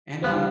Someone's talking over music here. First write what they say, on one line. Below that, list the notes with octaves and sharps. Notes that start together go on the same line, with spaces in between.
and, um,
C#3 G3 B3 D4